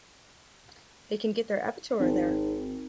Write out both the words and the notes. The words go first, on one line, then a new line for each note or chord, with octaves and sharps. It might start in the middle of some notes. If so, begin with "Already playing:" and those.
They can get their Abitur there.
G#1